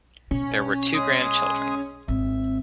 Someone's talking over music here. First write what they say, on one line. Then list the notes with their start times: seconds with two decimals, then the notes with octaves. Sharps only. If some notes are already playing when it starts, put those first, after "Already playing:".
There were two grandchildren.
0.31 B2 C#4
0.94 G#3 G#4 D#6
2.08 G#1 C4 E5